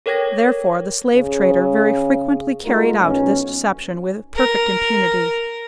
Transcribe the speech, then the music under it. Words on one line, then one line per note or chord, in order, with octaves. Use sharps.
Therefore the slave-trader very frequently carried out this deception with perfect impunity.
A4 A#4 C#5 G5 G#6 A#6
C#3
G#3 A3 D#4 F4 F#4 A#4
B1 C#4
A#4